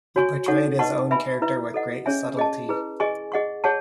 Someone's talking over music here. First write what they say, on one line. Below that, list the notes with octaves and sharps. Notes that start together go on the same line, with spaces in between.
He portrayed his own character with great subtlety.
F#4 C#5 G#5 C#6
D#4 A4 C#5 F#5 C#6
B4 D#5 F#5 A5 C#6
B4 E5 G#5 B5
E4 B4 E5
A4 D#5 F#5
C#4 G#4 C#5 E5 G#5
G#4 D#5 A5
E4 G#4 B4
G#4 D#5 G#5 C#6
G#4 D#5 F#5 C#6
G#4 C#5 F#5 A5 C#6